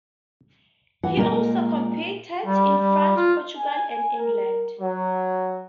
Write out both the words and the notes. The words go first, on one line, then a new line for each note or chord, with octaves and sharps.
He also competed in France, Portugal and England.
E3 F#5
A#2 G#3 A#3 A#4 D#5
G3
G3
F4
G#5
A#4
F#3